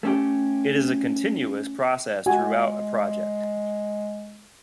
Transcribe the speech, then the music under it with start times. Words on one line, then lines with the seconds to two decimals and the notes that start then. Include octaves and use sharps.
It is a continuous process throughout a project.
0.03 A3 C#4 G4
2.26 G#3 F#4 G#5